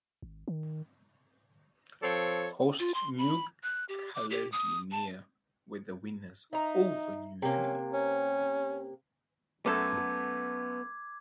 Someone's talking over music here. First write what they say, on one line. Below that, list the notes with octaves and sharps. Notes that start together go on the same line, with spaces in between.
Hosts New Caledonia were the winners over New Zealand.
G#1
D#3
F3 C4 A4 C#5
F4
C6
B5
F#6
G4
D6
G4
D#6
A5
D#4 E5 A#5
C3 A#3 C#4
C#4
F#2 A3 B3 A4 D6 G#6